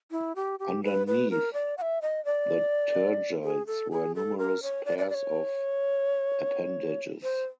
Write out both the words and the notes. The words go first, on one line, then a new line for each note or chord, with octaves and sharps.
Underneath the tergites were numerous pairs of appendages.
E4
G4
G4
B4
B4
A#4
D5
F#5
E5
D#5
D5
G#4
A4
G#4
A4
A#4
C#5
D5
D5
D5
C#5
C5